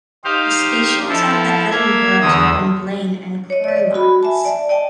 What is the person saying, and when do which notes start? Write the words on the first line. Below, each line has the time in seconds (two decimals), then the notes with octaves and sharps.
The station is on the Edinburgh to Dunblane and Croy Lines.
0.24 D#4 G4 C5 F5
1.09 F3 E4 A4
1.71 A#3 E5 G#6
2.21 E2 D3 D#6 E6
3.50 C#5 D#5
3.64 D5 D#5
3.94 F#4 B5
4.23 E5 G#5 A5
4.45 D5
4.69 D5 D#5 G5 A5